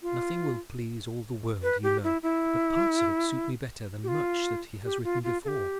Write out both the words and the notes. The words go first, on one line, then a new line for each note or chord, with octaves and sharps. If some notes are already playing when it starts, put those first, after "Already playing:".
Nothing will please all the world, you know; but parts of it suit me better than much that he has written before.
F4
B4
G4
E4
E4
G4
F4
G4
F4
F4
A4
G4